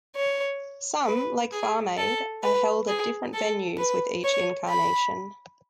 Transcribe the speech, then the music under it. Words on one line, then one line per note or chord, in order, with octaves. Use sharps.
Some, like Farm Aid are held at different venues with each incarnation.
C#5
B4
G#4
A4
B4
G#4
A4
B4
C#5
B5